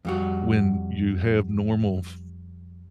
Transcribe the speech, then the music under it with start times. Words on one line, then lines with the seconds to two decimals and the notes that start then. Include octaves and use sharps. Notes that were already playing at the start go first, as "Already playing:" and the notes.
when you have normal f
0.05 F2 G3 F#4